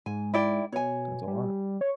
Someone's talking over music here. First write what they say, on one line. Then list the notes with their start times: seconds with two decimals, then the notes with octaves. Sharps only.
That's a lot.
0.06 G#2 G#5
0.34 E4 D5 G5
0.72 B2 C#5 G#5
1.27 G3
1.81 C#5